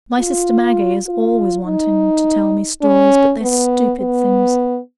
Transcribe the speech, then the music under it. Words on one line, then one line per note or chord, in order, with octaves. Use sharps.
My sister Maggie is always wanting to tell me stories, but they're stupid things.
F4
F4
D#4
C#4
B3
B3